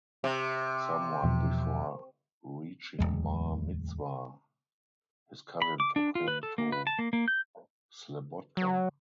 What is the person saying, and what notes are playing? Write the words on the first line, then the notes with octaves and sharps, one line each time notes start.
Somewhat before reaching bar mitzvah his cousin took him to Slabodka.
C3
E2 B2 F3
D1 G#1 E2 G#3
B5
D6
D4
F4
B4
A4
A#3
B4
A5
A#3
A#3
G6
F#3